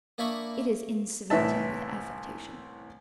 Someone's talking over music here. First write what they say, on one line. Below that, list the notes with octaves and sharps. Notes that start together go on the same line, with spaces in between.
It is incivility with affectation.
A#3 D4 E4 B5 C#6 D#6
C2 A2 E3 E5 A5